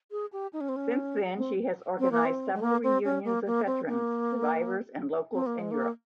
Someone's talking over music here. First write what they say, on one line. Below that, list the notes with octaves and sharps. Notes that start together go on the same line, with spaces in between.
Since then, she has organized several reunions of veterans, survivors and locals in Europe.
G#4
G4
D#4
C#4
C4
C#4
C4
C4
A#3
C4
G#3
A#3
C4
C#4
A#3
A#3
C4
A#3
C4
A#3
G#3
A#3